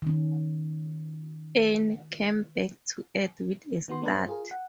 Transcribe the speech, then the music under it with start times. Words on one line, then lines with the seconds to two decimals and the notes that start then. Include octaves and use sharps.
Anne came back to earth with a start.
0.02 D#3 C#4
3.88 D#3 B3 F#4 C6
4.01 A3 B3 D4 A#4 B4
4.14 G2 C5
4.27 F4 G#4 A#4
4.51 F#5